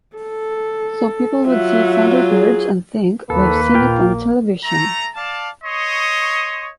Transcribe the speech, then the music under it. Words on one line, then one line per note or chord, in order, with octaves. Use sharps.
So people would see "Thunderbirds" and think, 'We've seen it on television.
A4
F#3 F4 E5 F#5
G#4
D#2 D#3 A#3 A4 B4
A#1 F4 G5
A3 A#5
D5 F5 A5
C#5 D#5 C6 C#6 D#6